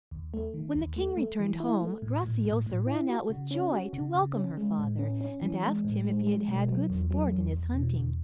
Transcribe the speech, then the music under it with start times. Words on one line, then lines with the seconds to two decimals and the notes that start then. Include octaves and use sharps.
When the king returned home, Graciosa ran out with joy to welcome her father, and asked him if he had had good sport in his hunting.
0.11 D#2
0.34 A3
0.54 D#3
0.75 D#2
0.96 A3
1.17 A3
1.40 E3
1.60 E4
1.81 A3
2.02 A2
2.23 A2
2.45 A2
2.66 A2
2.87 E4
3.09 F#4
3.30 C#3
3.51 C#4
3.72 F#4
3.93 C#3
4.15 C#3
4.36 C#4
4.57 G#3
4.78 A2
4.99 C#4
5.21 C#4
5.42 E3
5.63 G#3
5.84 A2
6.05 G#3
6.27 G#3
6.48 B2
6.68 F#3
6.90 E2
7.11 F#3
7.32 E2
7.53 E2
7.74 B2
7.95 E2